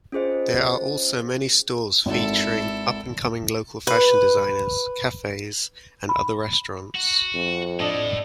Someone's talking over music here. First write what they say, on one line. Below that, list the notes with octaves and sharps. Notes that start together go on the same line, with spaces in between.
There are also many stores featuring up-and-coming local fashion designers, cafes and other restaurants.
C#4 F4 G#4 C5 D#5
G#1 E4 A4
B4
B5
F#4
F2
A2 D4 D#5